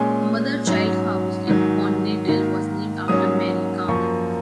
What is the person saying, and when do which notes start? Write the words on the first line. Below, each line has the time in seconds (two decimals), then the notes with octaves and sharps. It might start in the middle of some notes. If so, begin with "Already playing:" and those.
A mother-child house in Baunatal was named after Marie Calm.
Already playing: A#2 G#3 C#4 G#5
0.67 G#2 F#3 C#4
1.47 G#2 D#3 F#3
2.28 G#2 D#3 A#3
3.08 G#2 F#3 A#3 C#4 D#6
3.88 F#2 F3 A#3 C#6